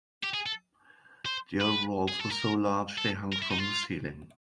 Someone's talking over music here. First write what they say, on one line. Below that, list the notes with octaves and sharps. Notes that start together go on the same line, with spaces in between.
The overalls were so large they hung from the ceiling.
G4
G#4
A4
C5
B4
G#4
A4
A#4
A4
A#4
E4
D#4
F4